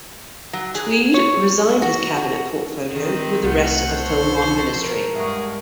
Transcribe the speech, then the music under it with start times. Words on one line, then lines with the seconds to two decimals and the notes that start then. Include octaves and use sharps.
Tweed resigned his cabinet portfolio with the rest of the Filmon ministry.
0.53 F#3
0.75 G#4
1.14 C#5
1.69 G2
1.82 F#4
2.17 F#4
2.91 D#3 C4
3.43 C2 A3 F4 F#5 G6
3.87 B2 A4 C5 C#5
4.43 F3
4.79 A#4
5.15 G2 G#3 G#4 E5 F#5 C#6